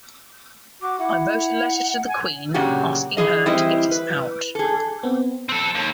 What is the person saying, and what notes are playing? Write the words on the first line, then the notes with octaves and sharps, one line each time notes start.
I wrote a letter to the Queen, asking her to get us out.
F#4 D6
E4 F#5
G#5
A#2 C#3 F#3 F#4 G4
E3 G3 G#4 D#5
E3 G3 C4 E4 D#5
B4
G#4 A4
B3 C4
C4 A4 F#6
D#2